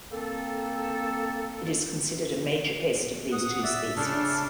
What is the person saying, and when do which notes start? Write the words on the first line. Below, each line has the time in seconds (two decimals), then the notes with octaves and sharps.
It is considered a major pest of these two species.
0.11 A#3 C4 A4
3.32 F#5 D#6
3.63 D5 E5
3.97 C#3 D4 A4 F6